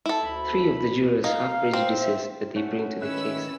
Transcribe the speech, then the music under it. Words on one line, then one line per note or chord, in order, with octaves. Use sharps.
Three of the jurors have prejudices that they bring to the case.
E4 A4
D2 B5
D#4 F5
C4
C5 E5
A3 C#4 F#4 C#5
D#3 C#4 E4 B4 E5 E6 F#6